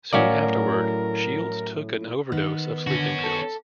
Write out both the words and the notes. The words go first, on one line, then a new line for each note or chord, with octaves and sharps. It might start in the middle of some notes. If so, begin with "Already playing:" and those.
Soon afterward, Shields took an overdose of sleeping pills.
A2 F#3 C#4 F#4 A#4 D5 F5
D#3 B3
D3 C#4 F#4
A4